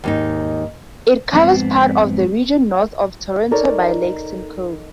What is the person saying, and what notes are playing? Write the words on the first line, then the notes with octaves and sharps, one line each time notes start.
It covers part of the region north of Toronto by Lake Simcoe.
D#2 G#2 D#4
F2 G#2 B3 C4
D#4 A4 A#4 C#5 D5